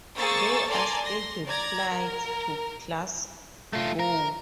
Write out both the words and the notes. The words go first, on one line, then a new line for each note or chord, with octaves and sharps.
There are scheduled flights to Glasgow.
A#3 G#4 C5 C#6 E6 A6
A4 D5 G#5 A#5 C6
C6 A#6
D5 A#5 G#6 A#6
A#4
A3 F4
A#4